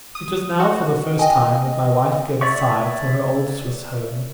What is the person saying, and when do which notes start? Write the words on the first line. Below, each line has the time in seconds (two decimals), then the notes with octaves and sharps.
It was now for the first time that my wife gave a sigh for her old Swiss home.
0.15 D#6
0.60 F#4
1.19 D#5 G5 G#5
2.41 C#5 D5 E5 C#6